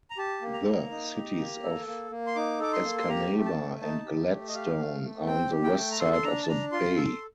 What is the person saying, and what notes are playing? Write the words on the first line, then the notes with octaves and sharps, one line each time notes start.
The cities of Escanaba and Gladstone are on the west side of the bay.
A#5
G4 A5
A#3
A#5
A#3
D#4
G4
A#3
A4
A#3
A#3
C6
D#4 D6
A4 D6
C6
A#3
C6
G4 A#5
A3
A5
A3
D#4 A5
G4
A3
D#5
G4 F5
A3
A3
C4 G5
G4
G5
A3
A#5
A4 C6
C6
D4 A#5
A5
D4 A#5
F4 C6
A4